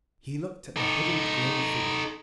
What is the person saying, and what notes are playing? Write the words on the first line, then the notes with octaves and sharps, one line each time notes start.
He looked at the huddled grey figure.
D#4 A4